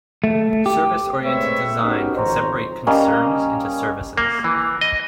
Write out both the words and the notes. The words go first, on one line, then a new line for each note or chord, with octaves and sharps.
Service-oriented design can separate concerns into services.
A3
G4
G#3 A3 C4 B4 C#5 E5
B3 C#4 D#4 F#4 G4 A#4
G#1 F2 C5 C#5 A#5
G3 A#3 C#4 D#5
A#3
E3
D#5